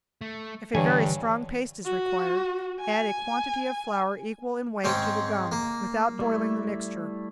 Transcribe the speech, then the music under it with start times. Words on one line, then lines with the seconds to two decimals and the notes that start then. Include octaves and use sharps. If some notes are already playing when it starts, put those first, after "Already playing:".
If a very strong paste is required, add a quantity of flour equal in weight to the gum, without boiling the mixture.
0.21 A3
0.75 G2 D3 E3 C#5 G#5
1.85 F#4
2.80 G#5
4.84 G#2 C4 C#4
5.52 A#3
6.19 G3 A3 E4